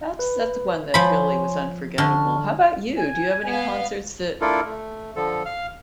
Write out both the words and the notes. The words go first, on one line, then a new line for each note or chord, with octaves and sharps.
that's that's one that really was unforgettable. How 'bout you? Do you have any concerts that
B4
F3 C#5 G#5 B5 C6
D3 A5 C#6 F6
G#5
B3 F5
A3 D4 E4 F4 A4 A#4
A3
D3 F3 A4
F5 F6